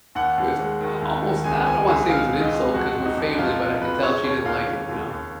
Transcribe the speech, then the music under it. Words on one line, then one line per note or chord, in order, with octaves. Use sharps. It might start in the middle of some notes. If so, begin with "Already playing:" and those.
is my almost, and I don't wanna say it was an insult 'cause we're family, but I could tell she didn't like it, you know.
D#2 F#5
D#2
G#3
D#3
D#2
D#3
C#2 G#5
F3 G#5
C#2 G#5
C#3 F5
C#3
D#5
C#2
F2 F#4
F2
D#4
F2
F2 F4
F2
F2 B4
C#3 C#5
D#2 C#5
D#2 F5
D#2
D#2
D#2